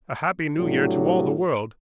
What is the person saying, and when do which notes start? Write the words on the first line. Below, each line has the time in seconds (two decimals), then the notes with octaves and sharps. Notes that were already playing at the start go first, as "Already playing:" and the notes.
A happy New Year to all the world!
0.59 C2 A2 F#3 D4 G4